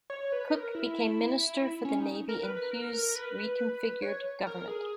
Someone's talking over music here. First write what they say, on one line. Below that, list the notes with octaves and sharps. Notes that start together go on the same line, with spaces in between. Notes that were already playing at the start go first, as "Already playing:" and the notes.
Cook became Minister for the Navy in Hughes' reconfigured government.
C#5
B4
A#4
E4
C#4
D#4
A#4
B4
B4
A#4
A#4
A#4
B4
C#5
A#4
G#4